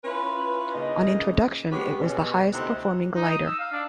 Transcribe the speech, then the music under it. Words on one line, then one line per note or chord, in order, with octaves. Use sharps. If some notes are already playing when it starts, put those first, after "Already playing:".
On introduction it was the highest performing glider.
C#4 E4 F4 B4
A#2 C#3 D4 D#4 D#5
G#3 B3 C#4 G4 G#4 B4
B2 C#4
D2 C3 C4 D#4 E4 F#5
D#4
D#6
E6
F5
D4